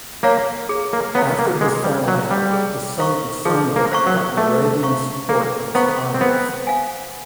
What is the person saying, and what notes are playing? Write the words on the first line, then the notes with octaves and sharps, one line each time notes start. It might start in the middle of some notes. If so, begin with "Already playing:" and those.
After his falling out, his son Isanrich got Moravian support against Arnulf.
A#3 C#5 F5 A#5
G#4
A#3
B3 C#5 F5 A#5
A#3
G#3 G#4
G3
F#3 C#5 F5 A#5
G3
G#4
C5 F5 A#5 C#6
F3 G#4
A#3
C5 F5 A#5 C#6
F#3
A3 G#4
C5 F5 A#5 C#6
A#3 G#4
B3 C5 F5 A#5 C#6
C4
B3 C5
F5 G#5